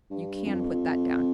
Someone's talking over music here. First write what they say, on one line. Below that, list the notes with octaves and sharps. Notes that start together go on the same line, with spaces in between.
You can put that down.
G2
F2